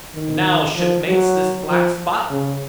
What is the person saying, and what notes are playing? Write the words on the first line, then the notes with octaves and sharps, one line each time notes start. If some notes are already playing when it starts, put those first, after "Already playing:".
And now, shipmates, this black spot?
D#3
F3
F#3
F3
C#3